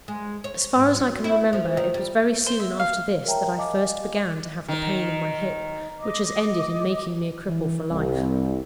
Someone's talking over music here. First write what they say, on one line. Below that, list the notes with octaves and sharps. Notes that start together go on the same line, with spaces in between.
As far as I can remember, it was very soon after this that I first began to have the pain in my hip, which has ended in making me a cripple for life.
G#3
C#5
G#2
F#3
E4
F3
D#3
G3
C5
E5
F5
A#4 C#5 E5 G5 A5 A#5
D#5 F5 G#5 A5 D6
D#3
D#5 D6
E3
C2